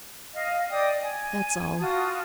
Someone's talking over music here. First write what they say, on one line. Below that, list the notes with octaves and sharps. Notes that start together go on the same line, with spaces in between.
That's all.
D#5 F5
D5 D#5 G5 D#6
G#5
F4 F#4 A5 D#6